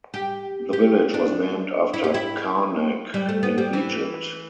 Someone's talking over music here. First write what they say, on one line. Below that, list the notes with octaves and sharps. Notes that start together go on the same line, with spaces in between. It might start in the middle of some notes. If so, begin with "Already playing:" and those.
The village was named after Karnak, in Egypt.
G4
G4
D4
E4
G4
E4
G3
A3
B3
G3
E3